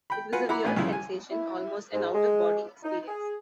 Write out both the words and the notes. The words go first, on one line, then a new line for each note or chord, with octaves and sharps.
It was a weird sensation, almost an out-of-body experience.
G5 B5
F4 F#4 B4 F#5 G#5
E4 F#5 A#5 B5 D6
A1 A2 B3 G#5
C2 C#3 F3 E4
G#5
E4
G#2
G#3
D#4
G#4